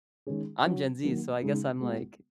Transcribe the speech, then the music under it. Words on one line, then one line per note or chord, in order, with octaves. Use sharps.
I'm Gen Z so, I guess I'm like,
D#3 G#3 C#4 G#4
F#3 C#4 F#4
D#3 F#3 A#3
C#3 G#3 D#4
G#3 B3 F#4